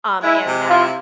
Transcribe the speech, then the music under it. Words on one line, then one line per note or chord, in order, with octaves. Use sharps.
um, and that
G#3 E4
C3
E4 F4